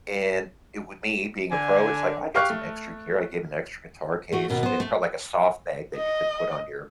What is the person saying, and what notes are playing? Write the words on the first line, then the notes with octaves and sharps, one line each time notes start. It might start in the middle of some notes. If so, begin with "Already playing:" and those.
and it would me, being a pro, it's like, I got some extra gear. I gave him an extra guitar case. It's called like a soft bag that you can put on your
D3 G#5
G4 F5 C#6 F6 F#6
A3
A3 F#4
D#2 B2
B3 C5
A3
D#5